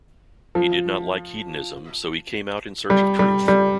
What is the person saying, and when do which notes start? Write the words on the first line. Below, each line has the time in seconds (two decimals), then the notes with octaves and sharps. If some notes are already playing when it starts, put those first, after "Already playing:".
He did not like hedonism so he came out in search of truth.
0.55 F3
2.90 G3
3.19 G3
3.48 G3